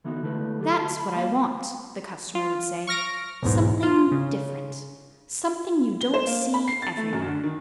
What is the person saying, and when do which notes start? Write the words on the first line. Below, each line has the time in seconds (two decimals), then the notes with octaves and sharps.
"That's what I want," the customer would say--"something different--something you don't see everywhere."
0.04 D3 E3 B3 D#4 F#4
0.23 D3 G#3 A3 E4 B4
0.59 F#3 G4 A4
0.79 D2 B2 F#4 A5
0.99 B5
1.14 G3 A#3 F5
2.35 F4
2.87 C#6 F6 A#6 D7
3.43 B1 E2 G#2
3.83 F4
4.12 C#3
6.01 G7
6.14 C5
6.27 A#3
6.54 B5
6.68 C7
6.82 A6
6.97 A3
7.13 F#2
7.26 D3
7.43 D#3